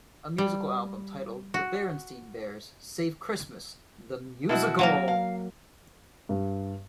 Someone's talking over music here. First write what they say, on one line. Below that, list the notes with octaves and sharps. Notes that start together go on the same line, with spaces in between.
A musical album titled The Berenstain Bears Save Christmas: The Musical!
G3
F#4
B2 E4 F#4
F#3 A#3 A#4
F5
G2